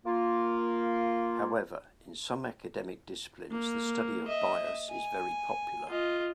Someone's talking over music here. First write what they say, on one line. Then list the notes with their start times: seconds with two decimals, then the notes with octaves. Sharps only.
However, in some academic disciplines, the study of bias is very popular.
0.06 A#3 F4
3.51 A#3
4.28 D#5 E5
4.90 G#5
5.90 F4 D#5